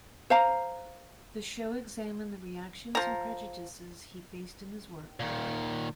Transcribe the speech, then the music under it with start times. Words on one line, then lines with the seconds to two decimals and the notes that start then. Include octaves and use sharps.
The show examined the reactions and prejudices he faced in his work.
0.30 C5 F5 A#5
2.95 F3 A#5
5.20 A#2 D#3